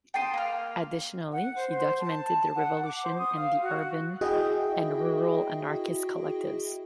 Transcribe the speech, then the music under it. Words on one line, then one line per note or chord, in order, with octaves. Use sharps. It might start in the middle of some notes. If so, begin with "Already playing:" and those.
Additionally, he documented the revolution and the urban and rural anarchist collectives.
G5 A5 C6 D#6
A#3 F6
F#5
C5
C5
A5
F#5
D6
C5
D#6
F5
F#4
E4 F#4 G#4 D#5 E5 G5